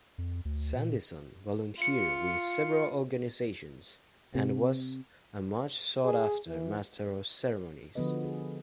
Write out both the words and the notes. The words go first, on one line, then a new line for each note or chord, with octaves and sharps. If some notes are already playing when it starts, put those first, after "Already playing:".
Sandison volunteered with several organizations, and was a much-sought-after master of ceremonies.
F2
D2
A#2
F4 C#7
C3
G#4
E3
D3 F3 B3 F#4 B4 D#5
G#4